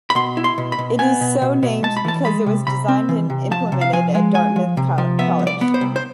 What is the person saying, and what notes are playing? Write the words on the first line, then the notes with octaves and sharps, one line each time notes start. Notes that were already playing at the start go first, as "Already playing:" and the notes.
It is so named because it was designed and implemented at Dartmouth College.
B5
B2 C6
E4
C6
B2
B5
B2
B3 G#5
B2
B2
B2
G#3 A5
B5
E3 A5
G#3 B5
C3
C3 B5
C4
E3
C3
F3 A5
C3
F5
F3 G#5
G#3
F3 G#5
F3
C3
F3
B3 E5
C2
D5
B3
C5
C2
C5